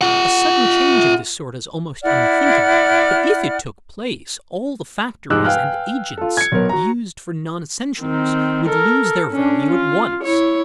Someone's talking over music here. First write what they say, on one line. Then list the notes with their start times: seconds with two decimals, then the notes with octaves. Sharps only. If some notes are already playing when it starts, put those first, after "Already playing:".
A sudden change of this sort is almost unthinkable, but if it took place, all the factories and agents used for non-essentials would lose their value at once.
0.01 F4 F#5
2.03 E4 D5 F#5 F6
5.30 F1 G#2 G#3 D6 E6 F#6
5.44 B4 F5 G5 G#5 F6 F#6
6.17 F4 A4
6.37 G#6 C#7
6.52 B1 B3 A#4 C#5
6.69 F#4 A#5
8.01 D#3 C4
8.68 A4 A#4
9.31 C#4 D4
9.71 F4
10.23 E4 C#5